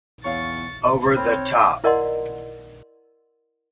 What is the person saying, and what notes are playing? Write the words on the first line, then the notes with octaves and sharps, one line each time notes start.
Over the Top!
E2 C#5 F5 C#6 A6
C4 C#5 B5 F6
E4 A#4 D5 D#5 F#5 C6